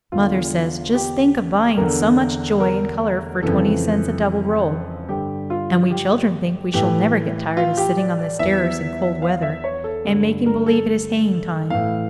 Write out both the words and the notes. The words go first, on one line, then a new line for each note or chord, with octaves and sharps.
Mother says just think of buying so much joy and color for twenty cents a double roll; and we children think we shall never get tired of sitting on the stairs in cold weather and making believe it is haying time.
E2 D3 F4
G4
E2 D3 A#4
A#4
F2 C#3 E3 A4
G2 D3 G4
F4
G4
A2 E3 G4
F4
G4
D5
D5
E2 E3 E5
F5
E5
C#5
A4
G2 D3
A#4
A4
A2 E3 F5